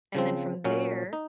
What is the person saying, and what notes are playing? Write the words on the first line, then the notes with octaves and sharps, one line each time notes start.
and then from there,
C#3 F3 C4
A#2 F#3 C#4
D#4